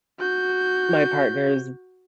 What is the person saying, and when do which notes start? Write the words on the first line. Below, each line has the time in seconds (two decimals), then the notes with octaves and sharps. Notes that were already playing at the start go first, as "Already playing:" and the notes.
My partner's
0.19 F#4 G6